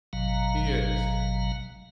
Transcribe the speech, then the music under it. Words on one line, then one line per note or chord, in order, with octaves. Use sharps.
"He is."
G#1 B2 F#3 F5 A#5